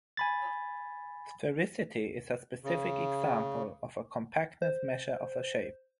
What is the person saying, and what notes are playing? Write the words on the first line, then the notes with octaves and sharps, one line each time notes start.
Sphericity is a specific example of a compactness measure of a shape.
G#5 B5 A6
C#3
C5